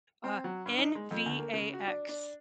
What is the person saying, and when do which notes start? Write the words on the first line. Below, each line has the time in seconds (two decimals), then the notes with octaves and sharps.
Uh, N-V-A-X.
0.24 C4
0.44 F#3
0.66 G2
0.78 D#4
0.95 G#3
1.11 F2
1.26 D2
1.39 A#3
1.53 C#3
1.73 F#4
1.87 D4
2.09 D4